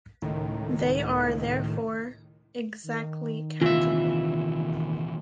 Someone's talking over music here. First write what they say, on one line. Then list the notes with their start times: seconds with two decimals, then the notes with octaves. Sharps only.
They are, therefore "exactly" countable.
0.22 C#2 A2 D#3
2.83 D#3
3.62 D#1 D#2 C3 E3 F4 E5